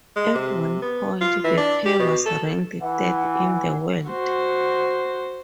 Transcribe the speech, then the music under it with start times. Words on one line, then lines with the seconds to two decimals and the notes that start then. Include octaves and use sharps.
At one point, the pair was ranked third in the world.
0.16 G#3
0.35 C3
0.82 B3
1.21 F4
1.44 E3
1.57 D4
1.86 G4
1.99 B2
2.26 A4
2.81 E3 F#5
4.09 F#4 C5